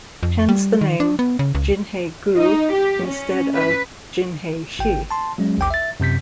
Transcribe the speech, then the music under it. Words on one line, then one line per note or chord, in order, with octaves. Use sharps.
Hence the name "Jinhae-gu" instead of "Jinhae-si".
F2
G3
D#3
D4
B3
C#3
C#2
D#4
G4
C#4
B4
G#1 G5
A5 C6
F#3 G#3 C#4
A1 D#2 G5 D6
E5 A6
F#2 C3 G6 B6